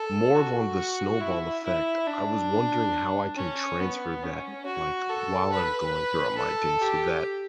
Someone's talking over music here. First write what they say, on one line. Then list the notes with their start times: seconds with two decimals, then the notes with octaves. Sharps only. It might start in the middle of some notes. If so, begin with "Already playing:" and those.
more of on the snowball effect, I was wondering how I can transfer that, like, while I'm going throughout my day so that
Already playing: A4
0.34 F#4
1.20 E4
1.64 E4
2.07 D4
3.36 C#4
3.80 B3
4.23 C#4
4.66 F#4
5.09 A4
5.52 B4
6.38 A4
6.81 G4